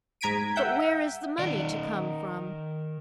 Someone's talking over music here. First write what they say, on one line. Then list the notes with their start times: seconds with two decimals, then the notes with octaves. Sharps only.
But where is the money to come from?
0.21 G#2 A#5 G#6 B6 D7 D#7
0.56 E5 F#5 G5 G6
1.39 D#3 D5